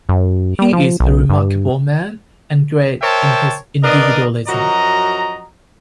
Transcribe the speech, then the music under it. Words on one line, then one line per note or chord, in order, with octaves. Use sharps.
He is a remarkable man, and great in his individualisms.
F#2
G3
F3
B1
G2
A#4 C5 C#5 E5 G5 A5
B3 D4 A#4 D5 D#5
F#2 F3 F#4 D#5 A#5